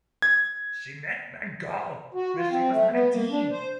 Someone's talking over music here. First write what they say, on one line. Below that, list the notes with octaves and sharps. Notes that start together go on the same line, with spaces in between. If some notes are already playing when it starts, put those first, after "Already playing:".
She met Van Gogh when she was nineteen.
G#6
F#4
F4
C4
A3
B3
A#3
D4
C5